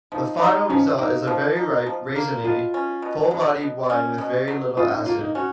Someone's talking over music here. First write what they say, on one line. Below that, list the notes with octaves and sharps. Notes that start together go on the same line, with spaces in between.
The final result is a very ripe, raisiny, full-bodied wine with very little acid.
F3 D#4
D#4
F3 C#4
A#3 D#4
F3
D#4
F3
A#3
B2 F4
C#4
B2
F#3
B2
C#4
B2
F#3
C#3 F4
D#4
A#3 F4
D#4
C#4 F#4